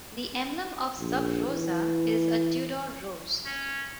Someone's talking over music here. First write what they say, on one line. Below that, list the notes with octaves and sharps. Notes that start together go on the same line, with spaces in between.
The emblem of Sub Rosa is a Tudor Rose.
A#1
E3
C#4